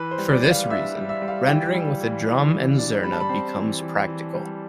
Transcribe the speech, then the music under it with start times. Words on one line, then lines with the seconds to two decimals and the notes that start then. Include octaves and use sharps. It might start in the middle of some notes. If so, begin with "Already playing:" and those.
For this reason, rendering with a drum and zurna becomes practical.
Already playing: E3 B4
0.11 C5
0.18 G3
0.30 D5
0.44 G3
0.50 F5
0.70 D4 E5
0.96 G3
1.09 E5
1.22 G3
1.28 F5
1.48 E3 G5
1.73 G3
2.00 E3
2.26 E3
2.52 E3
2.78 D4
3.03 G3 B5
3.12 A5
3.20 B5
3.29 C4
3.56 E3
3.81 E3
4.07 E3
4.34 G3